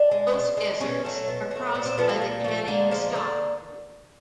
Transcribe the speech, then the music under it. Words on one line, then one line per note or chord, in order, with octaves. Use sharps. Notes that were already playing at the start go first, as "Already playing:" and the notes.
Both deserts are crossed by the Canning Stock Route.
Already playing: D4
G#3
B2
G#3
B2 C#4
F#3 A3
B2
F#3 A3
A#2 C4
C4
F3 A3 B3
A#3
A#2
F3 A3
D3 A#3
F3 G#3
D3